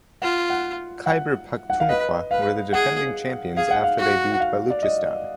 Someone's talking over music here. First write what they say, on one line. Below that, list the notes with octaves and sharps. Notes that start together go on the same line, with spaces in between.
Khyber Pakhtunkhwa were the defending champions after they beat Baluchistan.
F4 F#5
F#5
F#5
F#5
F5
B4 D#5
B4 F5
G#4 F#5
G#4 F5
F#5
F5
F#4 F5
F#5
F5
D5
D#5